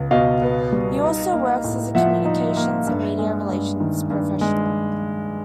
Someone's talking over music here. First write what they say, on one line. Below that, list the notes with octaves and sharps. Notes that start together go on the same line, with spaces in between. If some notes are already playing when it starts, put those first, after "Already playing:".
He also works as a communications and media relations professional.
Already playing: C#2 B3
B2 D#5 F5
B3
G3
D#4
A#3
A2
F3 E5 F#5
D#4
A#3
G2
G#3
G2
D#3
G2
G#3